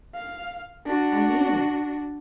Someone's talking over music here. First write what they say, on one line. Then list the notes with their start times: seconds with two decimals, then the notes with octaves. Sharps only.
I mean it.'
0.15 F5
0.86 D4 F#4